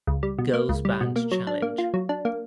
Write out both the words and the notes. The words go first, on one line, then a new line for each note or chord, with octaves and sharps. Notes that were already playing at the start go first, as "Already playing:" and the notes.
Girls Band Challenge.
C#2
G3
B2
A#3
C#2
G3
B2
A#3
F#3
D4
A#3
F4
F#3
D4
A#3